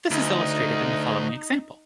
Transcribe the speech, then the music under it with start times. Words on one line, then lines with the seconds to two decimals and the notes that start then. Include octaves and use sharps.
This is illustrated in the following example.
0.11 D2 D#4